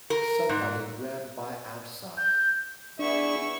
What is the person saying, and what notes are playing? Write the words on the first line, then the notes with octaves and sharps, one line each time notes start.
Somebody ran by outside.
A#4
G#2
G6
B3 D4 E4 G#4 E5 C#6